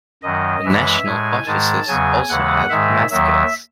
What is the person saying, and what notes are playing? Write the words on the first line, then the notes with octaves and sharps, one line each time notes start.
The National Offices also have mascots.
F#2 D#3 F#3 D#5
F#2 E3 G#3 E5
A2 G#3 G#5
G#2 D#3 G#3 A5
E2 C#3 F#3 G#5
D#2 C#3 E3 G#3 F#5
G#2 D#3 G#3 E5
D#2 D#3 F#3 E5